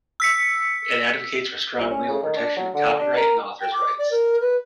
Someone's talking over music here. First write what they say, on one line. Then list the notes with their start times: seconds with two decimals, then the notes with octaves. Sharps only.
It advocates for strong legal protection of copyright and authors' rights.
0.20 E6 B6 C#7
1.78 C2
1.91 C#4
2.08 C#3
2.23 D#3
2.37 D4
2.57 F#3
2.74 D3
2.99 D4
3.17 A#4
3.60 G5
3.73 D6
3.98 D5
4.11 A#4
4.41 B4